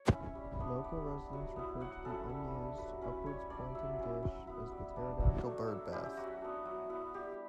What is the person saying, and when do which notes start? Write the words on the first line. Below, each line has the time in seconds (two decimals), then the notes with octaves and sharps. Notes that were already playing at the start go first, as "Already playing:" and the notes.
Local residents referred to the unused, upwards-pointing, dish as "the Pterodactyl Birdbath".
Already playing: C#5
0.11 C#4 E4
0.35 G3
0.60 B3 D4
0.84 G3 D5
1.08 D4
1.33 F#3
1.56 B3 E4
1.80 F#3 F#5
2.05 C#4 E4 A4
2.29 G3
2.54 D4
2.78 F#3 B4
3.01 C#4 E4 B4
3.26 G3 C#5
3.50 D4 D5
3.75 F#3 E5
3.99 C#4 E4
4.23 F#3
4.47 B3 E4
4.72 G3
4.96 D4
5.20 F#3
5.45 A3 D4
5.68 F#3 E5
5.92 C#4 E4 G4
6.17 F#3 F#4
6.41 B3 D4
6.66 F#3
6.89 B3 E4
7.14 G3 G4